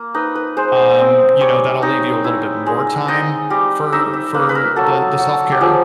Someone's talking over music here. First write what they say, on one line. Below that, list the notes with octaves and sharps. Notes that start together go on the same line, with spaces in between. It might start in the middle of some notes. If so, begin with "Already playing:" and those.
um, you know, that'll leave you a little bit more time for for the the self-care,
Already playing: A#3
D#4 B4
B4
G#3 C5
C4
G3 C#5
D#4
E4
G#3
D#4 D#5
G3
D#4 E5
E5
A#3 B4
B4
A#4
F#3 A4
F#3
G4
F3 G#4